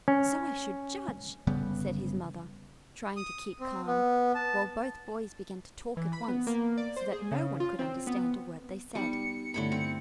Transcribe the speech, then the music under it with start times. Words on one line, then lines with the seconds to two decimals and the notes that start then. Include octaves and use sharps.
"So I should judge," said his mother, trying to keep calm, while both boys began to talk at once, so that no one could understand a word they said.
0.08 C#4
1.47 G1 C#3 G3 B3
3.17 D#6
3.60 C4
3.87 B3
4.35 A5
5.97 E3
6.13 B5
6.28 B3
6.47 A#3
6.77 D5
6.96 C5
7.13 G#4
7.31 C#3
7.60 F4
7.79 C4
8.07 B3
8.95 G3 B3 D#4 C#7
9.54 G2 D3 A3 E4 C#5 B5
9.72 C4